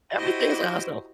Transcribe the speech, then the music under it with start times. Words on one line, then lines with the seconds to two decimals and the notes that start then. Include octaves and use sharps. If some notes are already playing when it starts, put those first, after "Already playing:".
Everything is a hustle.
0.16 E4 F#4 G4 C5 D#5